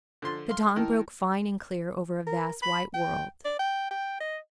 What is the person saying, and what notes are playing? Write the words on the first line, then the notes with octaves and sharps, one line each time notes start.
The dawn broke fine and clear over a vast white world.
D3 F3 A4 C6 A6
F5 C6
D#3 E4 A#4 A5
A#4
B5
G5
D5
G5
G5
D#5